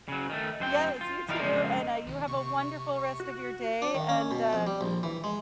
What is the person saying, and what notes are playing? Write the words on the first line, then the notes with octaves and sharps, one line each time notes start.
Yes, you too. And, uh, you have a wonderful rest of your day, and, uh,
C#3 F#3
D#3 A3
F#2 C5 G5
F4
E3 G3 D#4 A#4 F5
F2 C#3 G#3 A#3 D#4 C5
B1 D#3
C3 C#6
F#4
D4
D#3
C#4
B2
F2
G3
A#1
E3
G#3